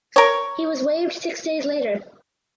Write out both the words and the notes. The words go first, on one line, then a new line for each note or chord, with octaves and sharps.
He was waived six days later.
A#4 C#5